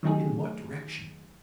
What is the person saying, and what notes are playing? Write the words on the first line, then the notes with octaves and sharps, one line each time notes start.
"In what direction?"
D#3 F#3 A3 D#4 G4 G#4